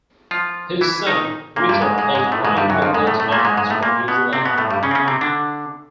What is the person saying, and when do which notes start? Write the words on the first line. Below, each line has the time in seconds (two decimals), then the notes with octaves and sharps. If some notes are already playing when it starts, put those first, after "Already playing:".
His son Richard played nine one-day internationals for New Zealand.
0.31 F3 F4
0.81 E3 E4
1.07 D#3 D#4
1.56 A#2 A#3
1.69 G2 G3
1.81 G#2 G#3
1.98 G#2 G#3
2.15 G#2 G#3
2.32 A2 A3
2.45 G#2 G#3
2.57 G2 G3
2.70 F#2 F#3
2.82 F2 F3
2.94 G#2 G#3
3.07 A2 A3
3.20 A2 A3
3.32 A#2 A#3
3.39 A3
3.45 G#2 G#3
3.57 G#2 G#3
3.70 A2 A3
3.83 A#2 A#3
4.08 B2 B3
4.33 C3 C4
4.45 B2 B3
4.58 A2 A3
4.70 G2 G3
4.83 C#3 C#4
4.91 C4
4.95 C#3 C#4
5.08 C3 C4
5.21 D3 D4